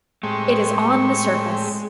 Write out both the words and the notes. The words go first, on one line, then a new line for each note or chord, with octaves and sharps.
It is on the surface.
A2 G#3 C4 G4 C#6